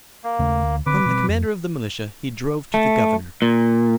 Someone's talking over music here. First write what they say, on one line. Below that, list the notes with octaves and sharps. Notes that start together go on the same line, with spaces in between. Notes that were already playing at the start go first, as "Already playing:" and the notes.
From the commander of the militia he drove to the governor.
A#3
D#2 C#3 A3
D2
D3 C4 B4 D6
B2 G3 C4
F2
A3
A#2